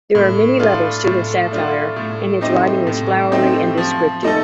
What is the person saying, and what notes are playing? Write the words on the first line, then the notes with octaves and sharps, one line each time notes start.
There are many levels to his satire and his writing is flowery and descriptive.
A2
A3 D4 F4
A2
A3 D4 F4
A2
A3 C4 D#4 G4
A2
A3 C4 D#4 G4
F3
A3 D#4 A4